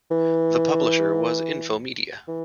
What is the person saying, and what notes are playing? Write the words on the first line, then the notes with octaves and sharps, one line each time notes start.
The publisher was Infomedia.
E3
E3